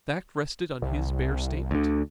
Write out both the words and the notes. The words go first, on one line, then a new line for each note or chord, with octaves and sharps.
The fact rested on his bare statement.
C2
D2 D3